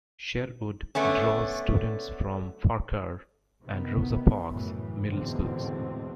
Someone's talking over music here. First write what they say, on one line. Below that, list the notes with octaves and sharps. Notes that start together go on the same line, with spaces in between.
Sherwood draws students from Farquhar and Rosa Parks Middle Schools.
D3 A3 B3 C#4
C3 D#3 B3
F#2 A2 C#3 E3
A1 E2 G#2 B2 D3 C4